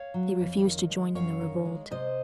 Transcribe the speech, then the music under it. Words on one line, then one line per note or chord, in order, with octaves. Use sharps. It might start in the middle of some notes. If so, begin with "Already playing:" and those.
They refused to join in the revolt.
Already playing: C#5 F5
F#3
F2
D#3
G#3
F#2 C#5 F5
D#3
G#3
C3 C5 D#5